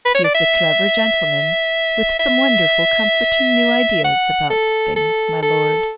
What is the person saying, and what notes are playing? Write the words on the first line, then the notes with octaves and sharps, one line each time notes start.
He is a clever gentleman with some wonderful comforting new ideas about things, my lord.
B4
C#5
D5
E5
E5
F#5
A4
A4
A4